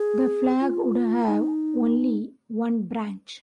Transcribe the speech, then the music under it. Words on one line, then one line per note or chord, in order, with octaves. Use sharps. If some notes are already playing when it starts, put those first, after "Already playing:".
The flag would have only one branch.
Already playing: G#4
F4
D#4